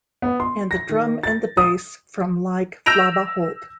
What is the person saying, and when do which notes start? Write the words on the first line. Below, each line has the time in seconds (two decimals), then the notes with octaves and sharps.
And the drum and the bass from like Flabba Holt.
0.22 B3
0.40 C6
0.71 A#6
0.89 D#3
1.23 A6
1.57 D#6
2.86 E6 G6 A#6 D7 F7